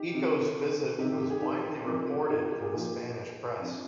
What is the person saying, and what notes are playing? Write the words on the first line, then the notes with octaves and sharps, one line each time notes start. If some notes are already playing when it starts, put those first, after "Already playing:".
Eco's visit was widely reported in the Spanish press.
Already playing: D#4 G4
C3 D#3
C3 D#3 D#4 G4
G4
G#4
D#4 G4
C3 F3
F4
D#4 G4
G4 A#4
F4 G#4
A#2 F3 D#4 G4
C3 F3 D4